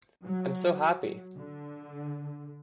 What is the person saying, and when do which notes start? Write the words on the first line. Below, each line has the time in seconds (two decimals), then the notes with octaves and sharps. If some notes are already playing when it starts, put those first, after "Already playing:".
I’m so happy.
0.24 F#3
1.36 D3